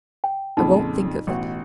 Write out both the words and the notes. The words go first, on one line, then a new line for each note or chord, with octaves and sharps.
I won't think of it ...
G5
F2 A#2 C#3 D#4 F4
A1 B2 F#4